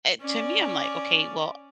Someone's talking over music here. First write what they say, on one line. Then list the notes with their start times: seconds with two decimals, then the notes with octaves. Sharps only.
eh, to me, I'm like, "Okay, well"
0.21 C#4 D5